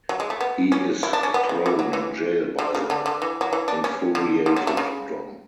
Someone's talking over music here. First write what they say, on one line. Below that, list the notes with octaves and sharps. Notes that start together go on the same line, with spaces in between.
He is thrown in jail by the infuriated Don.
F#3
G#3
A3
B3
C#4
E4
D4
C#4
B3
C#3
E3
F#3
E3
D3
C#3
D3
D3
E3
F#3
E3
D4
C#4
D3
D3
F#3
A3
C#3